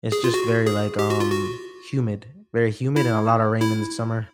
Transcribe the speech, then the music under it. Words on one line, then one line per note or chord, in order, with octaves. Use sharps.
it's just very like, um, humid, very humid and a lotta rain in the summer.
G#4
F4
F#4
G#4
G4
F#4
F4
F#4
E4
E4